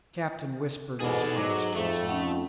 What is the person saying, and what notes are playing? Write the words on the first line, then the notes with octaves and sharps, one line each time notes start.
The captain whispered his orders to his men.
E2 G#2 B2 D#4 G#4 A4 D5
G#2 F#3 D6
F2 A3 E5
C#4 D#4 F#5